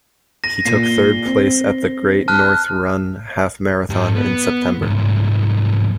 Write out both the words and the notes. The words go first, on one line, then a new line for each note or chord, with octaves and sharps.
He took third place at the Great North Run half marathon in September.
A#6 D#7
A#2 C7 D#7
G7
C4
A5 F6 F#6
G#2 G4
B3
C2 G#2